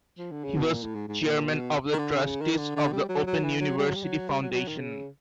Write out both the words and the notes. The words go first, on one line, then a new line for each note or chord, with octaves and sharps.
He was chairman of the Trustees of the Open University Foundation.
F3
D3
C#3
B2
A#2
A2
G#2
G#2
A#2
B2
D#3
D3
C#3
D#3
D#3
D3
D3
G3
F#3
F#3
E3
F#3
G3
F#3
G3
F#3
G3
F#3
G3
F#3
D#3
C#3